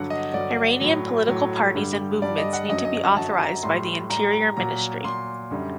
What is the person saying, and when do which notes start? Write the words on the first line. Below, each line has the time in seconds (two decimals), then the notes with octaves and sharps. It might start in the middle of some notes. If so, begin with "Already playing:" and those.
Iranian political parties and movements need to be authorized by the Interior Ministry.
Already playing: G2 D3 F#3 F#5
0.10 D#5
0.33 G2 D3 F#3 D5
0.81 A2 F#3
1.28 A2 F#3
1.75 G2 D3 G3
2.22 G2 D3 G3 D5
2.38 D#5
2.53 F#5
2.69 F#2 D3 F#3 D#5
2.85 D#5
3.16 F#2 D3 F#3 A5
3.40 A#5
3.63 A2 G3 C6
4.10 A2 G3 A#5
4.33 A#5
4.57 A#2 F#3 A#5
5.04 A#2 F#3 C6
5.51 F#2 D3 G3